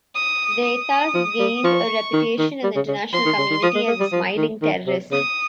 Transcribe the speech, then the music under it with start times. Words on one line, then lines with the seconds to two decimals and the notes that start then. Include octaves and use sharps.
They thus gained a reputation in the international community as the smiling terrorists.
0.15 D#6
0.64 D#6
1.14 F3
1.39 G3
1.64 F3 C#6
2.14 D#3
2.39 D#3
2.64 G3
2.76 C#3
2.88 C#3
3.13 F3 C6
3.25 D#3
3.38 C#3
3.50 D#3
3.62 F3 D#6
3.75 G#3
3.87 A#3
4.00 G3
4.12 F3
4.37 D#3
4.62 D#3
4.87 C3
5.11 C#3 D#6